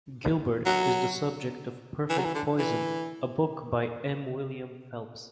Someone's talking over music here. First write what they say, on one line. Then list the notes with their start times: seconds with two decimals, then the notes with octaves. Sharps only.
Gilbert is the subject of "Perfect Poison", a book by M. William Phelps.
0.66 F#3
2.10 E3
2.18 F#3
2.24 E3
2.35 D3
2.59 E3